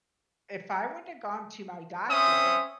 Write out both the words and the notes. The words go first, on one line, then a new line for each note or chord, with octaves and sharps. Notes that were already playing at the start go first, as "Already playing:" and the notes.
if I wouldn't have gone to my doctor,
C4 C#4 C5 E5 D#6